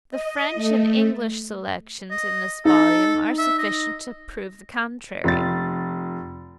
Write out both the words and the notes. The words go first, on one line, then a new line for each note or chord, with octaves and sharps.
The French and English selections in this volume are sufficient to prove the contrary.
D#5
A3
D#5
D#4 A4
E5
D#5
F1 A6